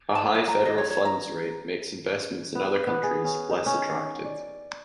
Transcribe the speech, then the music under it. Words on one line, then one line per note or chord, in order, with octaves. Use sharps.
A high federal funds rate makes investments in other countries less attractive.
A5
E4
A#5
D#5
C#5
C#5
A#5
B3
B3
G#4
C#4
D#4
C#4
D5